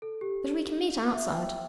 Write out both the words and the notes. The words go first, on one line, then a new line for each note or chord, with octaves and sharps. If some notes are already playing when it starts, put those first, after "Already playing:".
But we can meet outside.
A4
G4
E5
G5